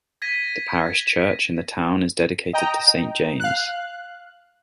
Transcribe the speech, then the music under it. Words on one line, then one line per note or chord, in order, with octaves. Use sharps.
The parish church in the town is dedicated to Saint James.
G#6 A#6 B6 D#7
D#5 G5 A#5
F5 F#6